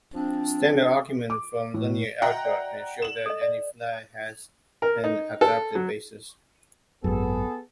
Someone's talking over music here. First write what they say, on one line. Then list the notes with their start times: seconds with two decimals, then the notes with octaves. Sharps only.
Standard arguments from linear algebra can show that any flag has an adapted basis.
0.15 F3 C4 D4
1.30 D6
1.74 A2
2.22 F#4 D#5 E5 F#5 G5 A#5
2.45 D5
3.02 E7 F#7
3.26 A4 D#5
3.42 D5
4.82 A#4
5.04 D#4
5.41 A4
5.75 F#3
7.04 G#1 F#2 B3 G#4 A4